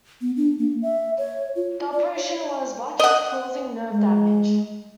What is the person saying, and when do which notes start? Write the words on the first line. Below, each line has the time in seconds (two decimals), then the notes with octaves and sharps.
The operation was botched, causing nerve damage.
0.22 B3
0.37 D4
0.59 A#3
0.82 E5
1.18 C#5
1.56 F4
1.93 D5
2.16 C#5
2.99 D#5 F#5
3.92 G#3